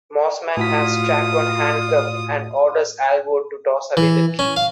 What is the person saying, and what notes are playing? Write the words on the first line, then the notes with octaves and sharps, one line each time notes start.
Mossman has Chacon handcuffed and orders Alvord to toss away the key.
A2 F4 F#4 D#6 B6
E3
C#4
F5